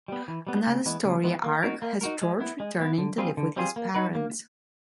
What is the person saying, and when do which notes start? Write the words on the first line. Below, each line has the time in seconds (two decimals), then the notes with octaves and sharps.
Another story arc has George returning to live with his parents.
0.08 G3 B3
0.28 E3
0.47 G3 B3
0.67 C#3
0.86 E3 G#3 B3
1.05 C#3
1.24 E3 G#3 B3
1.44 A#3
1.63 D#4 F#4 A#4
1.82 A#3
2.01 D#4 F#4 A#4
2.22 G#3
2.40 B3 E4
2.60 G#3
2.80 B3 E4
2.98 D3
3.18 G3 C4 F4 G#4
3.37 D3
3.56 G3 C4 F4 G#4
3.76 A#3
3.94 D#4 F#4 B4
4.15 A#3